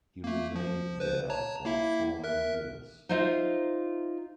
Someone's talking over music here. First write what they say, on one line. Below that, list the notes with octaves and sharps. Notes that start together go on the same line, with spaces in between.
He remained there for four years.
A3 A#3
F3
B4 C5
C#5 A5 A#5
A#3 E4 E5
A#4 E5 F#6
D#4 F4 C5 D#5 E5